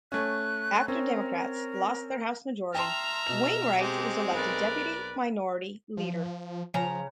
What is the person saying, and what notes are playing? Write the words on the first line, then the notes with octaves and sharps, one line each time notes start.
After Democrats lost their House majority, Wainwright was elected deputy minority leader.
A3 C#4 F#6
C4 C#4 A#4
E5 G5 A5 A#5 C6 F6
B2 F7
G#3 C4 G4
B1 A#4 B4 D5
F3
C#3 F3 A#5